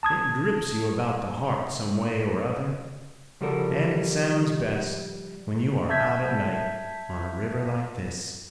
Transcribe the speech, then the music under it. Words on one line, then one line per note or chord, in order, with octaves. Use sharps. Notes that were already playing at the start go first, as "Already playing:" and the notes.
It grips you about the heart some way or other, an' it sounds best when you are out at night on a river like this.
A5 D#6 G#6
C#3 F3 G3 F#4 A4 A#4
E5 A5 G6 G#6 B6